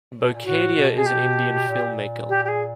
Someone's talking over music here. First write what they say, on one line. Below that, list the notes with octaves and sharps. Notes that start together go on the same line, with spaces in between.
Bokadia is an Indian filmmaker.
B2
A#2
A2 F#4
B2
G#4
G4
A#2
G4
G4
G#4